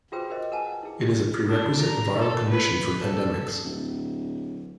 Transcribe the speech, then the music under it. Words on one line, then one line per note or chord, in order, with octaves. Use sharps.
It is a prerequisite viral condition for pandemics.
F4 F#4 G#4 B4 C5 G5
G#4 A#4 C5 D#5
B4 F#5 G#5 A5
E4 G#4
G4
D4
A#5
A4
B4
A4
D1